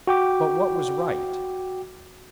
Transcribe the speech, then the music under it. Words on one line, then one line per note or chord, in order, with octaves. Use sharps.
But what was right?
F#4 G5 D6